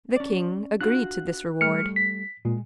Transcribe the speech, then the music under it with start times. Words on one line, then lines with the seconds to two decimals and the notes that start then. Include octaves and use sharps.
The king agreed to this reward.
0.16 C#4 D5
0.81 D4 F4 F#4 F#6
1.61 G3 A3 F6 C#7
1.96 B6
2.45 A#2 G#3